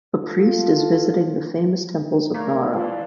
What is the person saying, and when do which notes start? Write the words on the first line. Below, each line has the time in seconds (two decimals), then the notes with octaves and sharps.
A priest is visiting the famous temples of Nara.
0.24 F4 A4
2.34 A3 A#3 A#4 D5 F5 A#5 G#6
2.73 E3 F3 F4 D5 F5